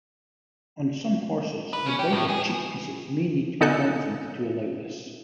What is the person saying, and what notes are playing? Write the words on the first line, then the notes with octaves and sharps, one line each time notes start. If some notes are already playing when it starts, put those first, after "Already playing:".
On some horses, the bridle cheekpieces may need to be lengthened to allow this.
B4
C#4
G4
A2
G#4
D3 D#4 A4 G#5 F#6